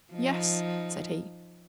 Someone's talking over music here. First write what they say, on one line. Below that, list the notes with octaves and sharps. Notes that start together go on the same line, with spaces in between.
"Yes," said he.
F3 D#4